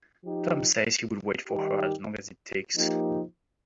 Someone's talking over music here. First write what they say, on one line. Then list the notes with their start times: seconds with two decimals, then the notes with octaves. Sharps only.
Tom says he will wait for her as long as it takes.
0.23 F3 D#4 G4
1.49 D#3 G3 D#4 G4
2.76 F3 A#3 D#4 G4